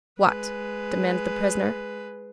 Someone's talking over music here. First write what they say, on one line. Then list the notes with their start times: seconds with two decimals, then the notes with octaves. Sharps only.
"What?" demanded the prisoner.
0.20 G#3 B4